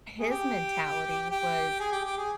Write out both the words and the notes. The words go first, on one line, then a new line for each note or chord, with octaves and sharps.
his mentality was,
G#4
G4
G4
G#4
G4
G4
G#4